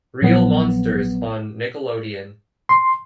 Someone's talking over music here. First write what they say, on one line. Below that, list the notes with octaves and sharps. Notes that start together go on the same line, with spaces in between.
Real Monsters on Nickelodeon.
A#1 F#3 B3
C6